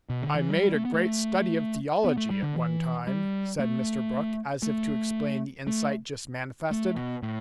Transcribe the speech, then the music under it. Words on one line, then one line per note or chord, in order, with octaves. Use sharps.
"I made a great study of theology at one time," said Mr. Brooke, as if to explain the insight just manifested.
B2
D3
E3
G3
A3
B3
A3
B3
A3
G3
D3
E3
G3
A3
A3
A3
A3
B2
A2